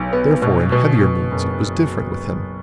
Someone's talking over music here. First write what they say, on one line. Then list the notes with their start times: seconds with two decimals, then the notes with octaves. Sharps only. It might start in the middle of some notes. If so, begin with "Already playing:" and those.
Therefore in heavier moods it was different with him.
Already playing: B1
0.13 B3
0.42 B2
0.72 B2
1.01 B2
1.31 F#1